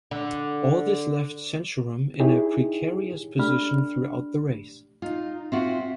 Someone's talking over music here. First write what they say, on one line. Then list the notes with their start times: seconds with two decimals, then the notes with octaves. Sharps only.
All this left Santorum in a precarious position throughout the race.
0.11 D3
2.20 D#4 E4 G4 G#4 C#5
3.39 A3 D4 G4 B5 F6
5.02 D#4 F4
5.52 C4 F4 F#4 E5